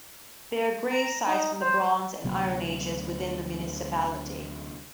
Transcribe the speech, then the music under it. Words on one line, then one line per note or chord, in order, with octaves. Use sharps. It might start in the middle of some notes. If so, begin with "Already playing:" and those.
There are grave sites from the Bronze and Iron Ages within the municipality.
A#5
D#4
C5
D2 C3 F#3 B3